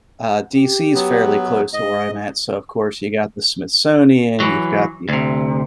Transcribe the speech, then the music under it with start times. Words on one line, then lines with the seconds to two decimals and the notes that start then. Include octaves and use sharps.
uh, DC is fairly close to where I'm at, so, of course, you got the Smithsonian, you've got the
0.56 G4
0.95 F#3 B3
1.74 G#2 D#5
4.40 E3 F#3
5.09 D2 C3